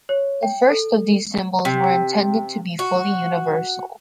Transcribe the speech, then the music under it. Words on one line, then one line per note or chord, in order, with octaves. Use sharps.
The first of these symbols were intended to be fully universal.
C#5
G5
A4
C3
F#4